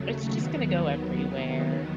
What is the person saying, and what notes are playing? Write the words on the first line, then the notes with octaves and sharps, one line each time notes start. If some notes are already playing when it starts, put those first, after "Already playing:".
It's just gonna go everywhere.
Already playing: D#2 C#3 F#3 A3
D#2 D#3 F#3 B3